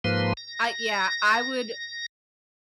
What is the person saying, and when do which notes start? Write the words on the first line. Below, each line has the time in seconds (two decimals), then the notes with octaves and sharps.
I Yeah, I would
0.04 G#2 F3 A#3 B4 C6
0.37 A#6